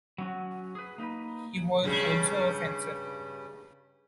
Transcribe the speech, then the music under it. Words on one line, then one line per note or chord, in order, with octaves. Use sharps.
He was also a fencer.
F#3 C#4 F#4
G#4 B4
A#3 D#4 B4
G2 C#3 G3